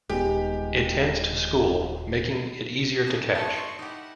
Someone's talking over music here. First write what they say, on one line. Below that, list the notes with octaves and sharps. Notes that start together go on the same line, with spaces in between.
It tends to school, making it easier to catch.
D#1 G#3 B3 D#4 G4
A#3 C#4 D#4 A5
A3 D#5 A5 C6 C#6
D#4 E4 G4 F#5